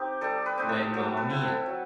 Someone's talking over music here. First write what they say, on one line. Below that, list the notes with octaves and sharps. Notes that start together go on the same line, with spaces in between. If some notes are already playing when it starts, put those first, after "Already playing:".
When Mamma Mia!
Already playing: C4 D#4 G4
G3 A4
B4
C4 D#4
A4
F#3 A4
B4
C4 E4
A4
F#3